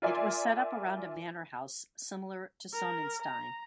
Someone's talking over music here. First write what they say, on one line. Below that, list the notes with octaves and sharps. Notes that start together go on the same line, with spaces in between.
It was set up around a manor house similar to Sonnenstein.
F4 A#4 D5 E5 G#5 C6
A#4
A#5